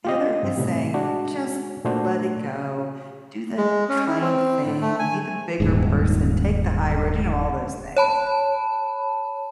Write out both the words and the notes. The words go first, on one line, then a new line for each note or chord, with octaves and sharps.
The other is saying, "Just let it go. Do the kind thing. Be the bigger person, take the high road," you know, all those things.
F4 G4 D#5
G2 C4
A2 C3 G3
G#3 D4 F#4
A#2 A3 D4 F#4 C5
G#3
C#4
E4
C4
A2
A3
G#5
D#1 G#2
C#5 A5 B5